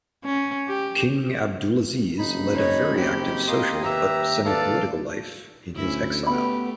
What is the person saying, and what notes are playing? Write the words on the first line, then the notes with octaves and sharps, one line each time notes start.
King Abdulaziz led a very active social, but semi-political life in his exile.
C#4
G4
F#1 D#4 B5
C#5 D#5
C4 G4
A#3 D#5 C6
D#2 G4 B4 E5 A#5
A4 B4 D5 F5
D2 C#4 E4
A3 B3 G4 B5